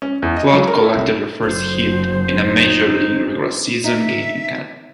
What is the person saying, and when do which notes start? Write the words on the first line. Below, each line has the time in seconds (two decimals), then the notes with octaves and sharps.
Flood collected the first hit in a major league regular season game in Canada.
0.02 C#4
0.22 E2
0.36 D#5
0.53 F#3
0.67 A#4
0.84 E4
0.95 C2
1.43 F#1 C5
2.46 D#4
3.84 D#4 E5